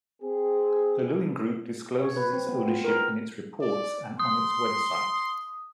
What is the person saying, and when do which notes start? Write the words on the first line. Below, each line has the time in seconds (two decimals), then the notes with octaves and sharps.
The Lewin Group discloses its ownership in its reports and on its web site.
0.22 C4 G#4
1.99 C#5
2.17 B4
2.33 C4
2.49 B3
2.68 F4
2.84 A#4
3.61 D5
4.19 C6 D#6